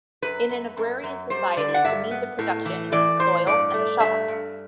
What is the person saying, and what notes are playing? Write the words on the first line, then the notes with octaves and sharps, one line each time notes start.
In an agrarian society the means of production is the soil and the shovel.
F#2 B4
F#2
F#2
F#2
G3 C5
D3 D5
F#5
G2 E5
B3
A2
E3
E3 D5
A2 C5
G2 D5
A3
G2 E5
G2